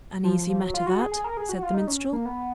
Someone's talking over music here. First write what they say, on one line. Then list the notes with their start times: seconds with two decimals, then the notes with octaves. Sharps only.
"An easy matter that," said the minstrel.
0.24 F3
0.37 F3
0.49 F3
0.62 F#3
0.74 F4
0.86 F#4
0.99 G#4
1.12 G#4
1.24 A#4
1.37 G#4
1.49 F#4
1.63 F4
1.74 D#4
1.88 C#4
2.13 A#3
2.25 B3